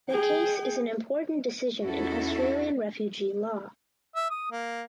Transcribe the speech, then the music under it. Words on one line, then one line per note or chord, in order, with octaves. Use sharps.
The case is an important decision in Australian refugee law.
G#4 G5
E2 C#4 D#4 E4 F#4 A4
E5
D#6
A#3